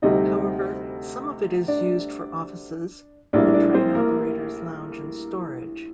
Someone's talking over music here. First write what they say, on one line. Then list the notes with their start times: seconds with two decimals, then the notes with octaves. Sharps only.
However, some of it is used for offices, a train operators' lounge and storage.
0.02 D2 C3 G3 D#4 D#5
1.68 D4 D5
3.33 A#1 A2 G3 A#3 D4 D5
3.54 D4 D5
3.74 C4 C5
3.95 A#3 A#4